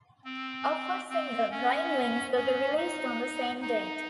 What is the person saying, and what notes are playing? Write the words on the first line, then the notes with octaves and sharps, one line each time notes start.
A first single, "Growing Wings", will be released on the same date.
C4
C4
C#4
C#4
D#4
D#4